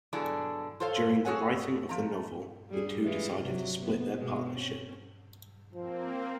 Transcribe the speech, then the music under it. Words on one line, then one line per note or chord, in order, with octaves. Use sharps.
During the writing of the novel, the two decided to split their partnership.
B2 D3 F#3 D4 E4 G#4
F4 A4 C5 C#5 F5
F#4 G#4 A4 C#5 F#5 G#5
F3 A3 A#5
G3 D4 G#4
E3 G#3 F4
C3 F#3
B3
B2 G#3
C4 C#4
F3 A#3 C4